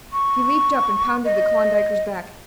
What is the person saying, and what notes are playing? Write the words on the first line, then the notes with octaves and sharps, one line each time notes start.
He leaped up and pounded the Klondiker's back.
C#6
D#5